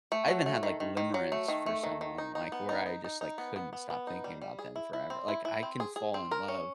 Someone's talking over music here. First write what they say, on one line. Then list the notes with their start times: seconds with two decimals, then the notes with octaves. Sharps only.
I even had, like, limerence for someone, like, where I just, like, couldn't stop thinking about them forever. Like, I can fall in love,
0.12 A3
0.28 F#3
0.46 A3
0.63 D#3
0.80 D#3
0.97 D#3
1.14 F#3
1.32 A3
1.48 D#3
1.66 A3
1.83 D#3
2.01 D#3
2.18 D#4
2.35 D#4
2.52 B3
2.69 D#4
2.86 D#4
3.04 D#4
3.21 D#4
3.38 B3
3.56 B3
3.73 B3
3.90 B3
4.07 D#4
4.24 G3
4.41 G3
4.59 G#4
4.76 E4
4.93 E4
5.10 C4
5.28 E4
5.45 E4
5.63 C4
5.80 G#4
5.96 G#4
6.14 C4
6.31 A#4
6.48 C#4